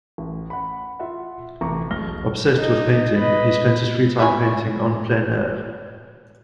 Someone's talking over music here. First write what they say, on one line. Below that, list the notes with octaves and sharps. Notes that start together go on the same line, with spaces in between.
Obsessed with painting, he spent his free time painting "en plein air".
A1
F#5 B5
F4 E5 F#5
A1 C3 A#5 C#6 D6
E1 B1 F6 A#6 G7
D#4
B4 D#5
D4 E4 B4 C#5 G#5